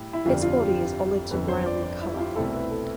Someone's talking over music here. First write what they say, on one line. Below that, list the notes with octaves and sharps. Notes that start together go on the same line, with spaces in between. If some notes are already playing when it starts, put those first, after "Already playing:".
Its body is olive to brown in color.
Already playing: A2 G3 E4 G4
E4
G1 F2 D3 G3 C4 F4
F4
G4
G1 F2 D3 B4
C5
D5
D5
E4
G4
F4
C2 B2 A3 C4 E4 A4
B4
A4